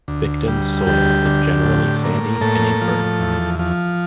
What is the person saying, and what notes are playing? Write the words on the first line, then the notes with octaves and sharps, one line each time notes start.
Bicton's soil is generally sandy and infertile.
D2
G3
D2 G4
D3
A2
A#3
A2 A4
F3
E2
F3